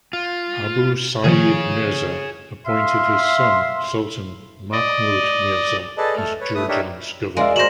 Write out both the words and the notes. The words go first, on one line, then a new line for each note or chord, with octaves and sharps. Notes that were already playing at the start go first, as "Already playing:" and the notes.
Abu Sa'id Mirza appointed his son Sultan Mahmud Mirza as Jurjan's governor.
F4
C3 D#3 F3 G#4 C#5
E5 F5 C6
D5 D#5
G#4 A4 B4 D5 D#5 A5
A3 A4 F6
B4 C#5
A3 B4 D#6
D4 D#4 G4 A#4 C#5 E5
G#3 A#4 D5 E5 F5
A#3 F#4 C5 A#6 E7 F#7